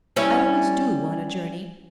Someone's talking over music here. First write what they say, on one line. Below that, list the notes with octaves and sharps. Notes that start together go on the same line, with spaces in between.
I always do, on a journey.
G3 C#4 E4